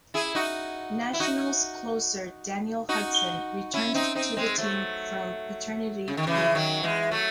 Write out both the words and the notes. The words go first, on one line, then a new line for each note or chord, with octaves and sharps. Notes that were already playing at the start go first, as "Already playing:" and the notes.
Nationals closer Daniel Hudson returned to the team from paternity leave.
E4 G#4
D#4 F#4
E4
D#4 F#4
D#4 F#4
C#4 E4
C4 D#4
C4 D#4
G#3 C4
F#3 A3
C#3
D#3
C#3 E3
D#3 F#3
E3 G#3
F#3 A3